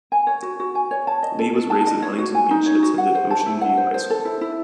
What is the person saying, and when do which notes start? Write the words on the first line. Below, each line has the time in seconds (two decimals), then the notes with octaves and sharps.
Lee was raised in Huntington Beach and attended Ocean View High School.
0.12 G#5
0.27 C#5
0.43 F#4
0.60 F#4
0.75 G#5
0.91 C#5
1.07 A5
1.23 D#5
1.39 A4
1.55 A4
1.70 A5
1.87 D#5
2.02 C#5
2.18 F#4
2.35 G#5
2.51 D#4
2.66 C#5
2.83 F#4
2.98 F#5
3.15 C5
3.30 A5
3.46 E4
3.61 F#5
3.77 C5
3.94 C5
4.10 A4
4.25 E4
4.41 E4